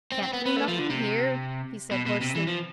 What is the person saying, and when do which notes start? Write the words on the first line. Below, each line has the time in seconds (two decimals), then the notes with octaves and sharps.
"Can't do nothin' here," he said hoarsely.
0.12 C4
0.22 C4
0.33 B3
0.46 B3
0.56 A3
0.68 F3
0.79 D3
0.90 C3
1.91 B2
2.06 B2
2.21 C3
2.35 E3
2.47 F3